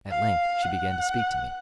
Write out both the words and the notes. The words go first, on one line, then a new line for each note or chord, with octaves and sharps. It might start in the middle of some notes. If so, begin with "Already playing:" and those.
At length she began to speak to me.
F5
F#5